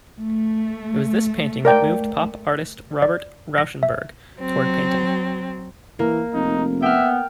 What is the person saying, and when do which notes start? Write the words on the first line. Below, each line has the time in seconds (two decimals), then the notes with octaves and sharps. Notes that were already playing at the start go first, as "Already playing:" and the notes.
It was this painting that moved pop artist Robert Rauschenberg toward painting.
0.19 A3
1.65 A#4 D5 G5
3.02 D5
3.58 A#6
3.83 E5
4.37 F#3 C4
5.99 E3 A#3
6.34 F1 D#4
6.82 B3 E5 G5 F6